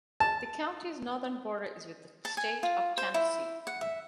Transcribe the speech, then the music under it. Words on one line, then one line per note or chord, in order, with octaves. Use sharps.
The county's northern border is with the State of Tennessee.
A5
A5
G#5
F4
C5
E4
F#5
E5